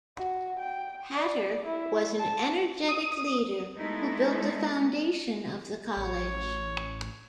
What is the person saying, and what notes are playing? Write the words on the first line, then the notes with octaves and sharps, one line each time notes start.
Hatter was an energetic leader who built the foundation of the College.
F#4
G5
D5
E4
A5
D#6
G#3 A3 B3 D#4 E4 A4
A1 C#5